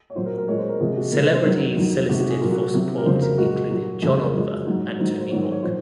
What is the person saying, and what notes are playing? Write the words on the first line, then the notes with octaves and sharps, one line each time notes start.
Celebrities solicited for support included John Oliver and Tony Hawk.
C#5
A#2 F#3 C5
A#4
A#4
A#2 G#3 C#5
C5
A#4
C3 F3 G#3 G#4
F#4
C3 F3 G#3 A#4
C5
C5
F#2 D#3 F#3 A#4
F2 D#3 F#3
C3 D#3 G#3 F#4
F#4
G#4
A#2 F#3 A#4
F#4
C3 F#3
A#4
F2 C#3 F#3 C5
A#4
A#2 G#3 F#4
A#2 F#3
F2 C#3 G#3 G#4
A#4
F#2 F3 G#3
G#2 F#3
G#2 D#3 F#3 C5
C5
G#2 D#3 F#3 C#5
C5
C#5
A#2 F3 C5